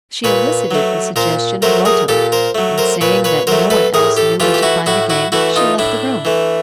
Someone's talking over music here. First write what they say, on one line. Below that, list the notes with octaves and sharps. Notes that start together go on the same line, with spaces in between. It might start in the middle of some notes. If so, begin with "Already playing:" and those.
She elicited a suggestion of loto, and saying that no one else knew where to find the game, she left the room.
A#2 B4 C#5
F#3 A3
A#2 A#4 C5
F#3 A3 A#4 C5
G#4 A#4
A#2 G4 A4
A#4 C5
F#3 A3
A#4 C5
A#2 B4 C#5
B4 C#5
F#3 A3 A#4 C5
A4 B4
A2 G#4 A#4
G4 A4
E3 A3 F4 G4
G4
E4 F#4
A2 E4 F#4
E4 F#4
E3 A3 E4 F#4
D#4 F4
A2 D4 E4
E3 A3